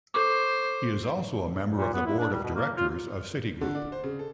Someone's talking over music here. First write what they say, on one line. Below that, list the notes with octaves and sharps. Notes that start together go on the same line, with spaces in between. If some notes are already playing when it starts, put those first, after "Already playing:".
He is also a member of the Board of Directors of Citigroup.
A4 C5 C#6 D6
A#2
B3
E4
D4
G3
B2
A#3
F4
D3
D4
C5
C#3
A4